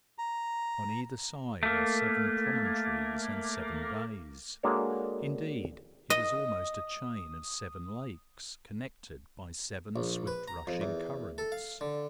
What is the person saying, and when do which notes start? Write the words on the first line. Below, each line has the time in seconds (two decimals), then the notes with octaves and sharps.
On either side are seven promontories and seven bays; indeed, it is almost a chain of seven lakes, connected by seven swift-rushing currents.
0.18 A#5
1.63 A3 A#3
4.63 G#3 A#3 D4 F#4 A4 C#5
6.10 D#5 D#6
9.96 A#1
10.27 B4
10.48 A#5
10.67 F2
10.81 E2
11.38 A4
11.52 F5
11.81 D3